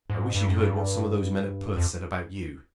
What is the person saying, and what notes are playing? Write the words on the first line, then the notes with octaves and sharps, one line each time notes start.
"I wish you'd heard what some of those men at Perth said about you."
G#2
G2
F#2
G2
F2